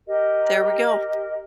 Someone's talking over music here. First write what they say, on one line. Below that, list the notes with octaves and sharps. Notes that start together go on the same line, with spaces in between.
There we go.
G4 A#4 D#5